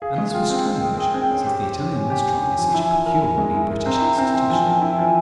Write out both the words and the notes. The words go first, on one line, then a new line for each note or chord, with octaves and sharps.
And this was strange, since the Italian restaurant is such a peculiarly British institution.
G#4 F5
G#3
F4 G5
C4
C4
G#4
G#4
C4
C#4
G4
G4
C#4
C#4 G#5
G4
G4
C#4
F3
E4
F3
A#4
E4
G#3
E4
A#4
C4 A#5
E4
C4 G#5
C4
F3 G#5
F3
E4 G#5
F3